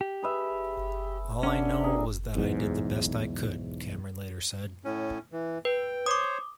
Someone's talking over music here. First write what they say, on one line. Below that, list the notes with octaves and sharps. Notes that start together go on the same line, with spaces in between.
"All I know was that I did the best I could," Cameron later said.
G4
G#4 B4 E5
D3 C#4 D4
C3 G#4 A#4
B1 E2 G#2
A2 C#4
E3
B4 G5
C5 C#5 D6 D#6